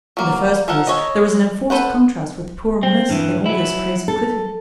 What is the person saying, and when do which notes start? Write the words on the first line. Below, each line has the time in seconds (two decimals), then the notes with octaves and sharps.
In the first place, there was an enforced contrast with poor Mliss in all this praise of Clytie.
0.17 F#3 A#3
0.68 F3 A4 A#4 F#5
0.87 A4 C#5 D#5
1.70 A4 B4 C5 F#5
2.83 C4
3.10 G2 E3
3.46 F#3 E4
4.08 A4